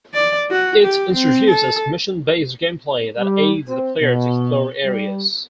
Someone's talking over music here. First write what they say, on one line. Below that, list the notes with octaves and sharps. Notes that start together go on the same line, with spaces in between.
It introduces mission-based gameplay that aids the player to explore areas.
D5
F#4
G4
C4
A4
G3
C4
B2
G3